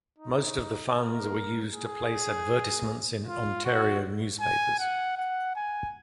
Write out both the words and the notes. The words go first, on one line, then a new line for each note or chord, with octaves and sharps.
Most of the funds were used to place advertisements in Ontario newspapers.
D#4
A#4
G#4
F4
F#4
G#5
F#5
F#5
G#5